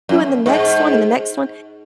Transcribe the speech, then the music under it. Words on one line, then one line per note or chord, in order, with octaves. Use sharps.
in the next one and the next one?"
F#2
G#2